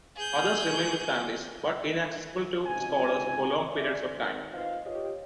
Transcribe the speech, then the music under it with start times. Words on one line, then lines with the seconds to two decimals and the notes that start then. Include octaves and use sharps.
Others remained with families, but inaccessible to scholars for long periods of time.
0.16 G#4 G6
2.66 C#2 G#2 C3 F#4 G#5
3.70 D5 E5
4.16 G#1
4.54 D#4 F4 B4 C5 D#5 F5
4.86 F4 G4 C#5 D#5